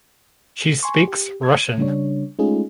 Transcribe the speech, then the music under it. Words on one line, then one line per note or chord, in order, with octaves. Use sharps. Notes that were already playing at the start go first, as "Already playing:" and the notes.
She speaks Russian.
G#5 C6 C#6
G4
G#6
C#3 G3 D4 C#5
G#3 A3 C#4 D#4 F4 G#4